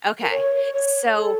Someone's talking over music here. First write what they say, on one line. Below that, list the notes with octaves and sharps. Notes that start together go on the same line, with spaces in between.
Okay, so
A#4
C#5
C#5
A4